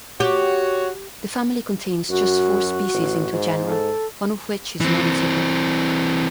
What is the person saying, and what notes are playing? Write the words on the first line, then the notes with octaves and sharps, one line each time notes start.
The family contains just four species in two genera, one of which is monotypic.
F#4 G4 C#5
F#2 F#4
A1
G#2
A4
E3 C4